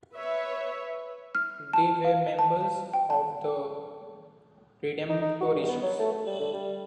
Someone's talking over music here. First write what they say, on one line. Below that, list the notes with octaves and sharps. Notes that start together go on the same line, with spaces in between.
They were members of the Redemptorists.
B4 C#5 E5
F6
A5
A5
F5
A5
A5
G5
A5
D#4
D#4
F#4
G2
B3
F#3
A3
A3
G3
D3
G3